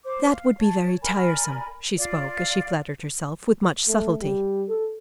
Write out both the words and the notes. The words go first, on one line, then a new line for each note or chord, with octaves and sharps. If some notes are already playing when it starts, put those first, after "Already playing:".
"That would be very tiresome." She spoke, as she flattered herself, with much subtlety.
C5 D6
F5
C#5 A5
A#4 D5 G#5 B5
F4 D5 F5
A3
G3
A4